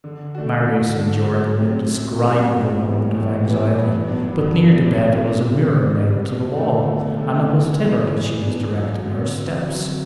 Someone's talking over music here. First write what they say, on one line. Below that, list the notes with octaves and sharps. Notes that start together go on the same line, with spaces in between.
Marius endured an indescribable moment of anxiety; but near the bed there was a mirror nailed to the wall, and it was thither that she was directing her steps.
D3
A3 D4 F#4
D3
A3 D4 F#4
F#2
F#3 C4 G4
F#2
F#3 C4 G4
A2
E3 G3 B3
A2
E3 G3 B3
G2
F#3 B3 D4
G2
F#3 B3 D4
C3
G3 D4
C3
G3 D4
E2
D3 A3
E2
D3 A3
E3
B3 D4
E3
B3 D4
F#2
D3 F#3 C4
F#2
D3 F#3 C4